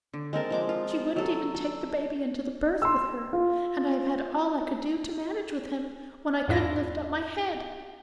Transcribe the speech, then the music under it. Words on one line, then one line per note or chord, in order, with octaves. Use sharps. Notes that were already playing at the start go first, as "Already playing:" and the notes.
She wouldn't even take the baby into the berth with her; and I have had all I could do to manage with him, when I couldn't lift up my head.
D3
G#3 C4 A#4 A5
F3 G#3 D6
F4
F#3 A4
A4
C6 E6
F4
E2 G#2 D4 E4 F4 A#6